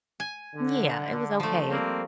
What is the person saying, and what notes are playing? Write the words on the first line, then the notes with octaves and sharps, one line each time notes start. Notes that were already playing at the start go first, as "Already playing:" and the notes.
Yeah, it was okay.
G#5
D3
F3 A3
G3 A#3 C4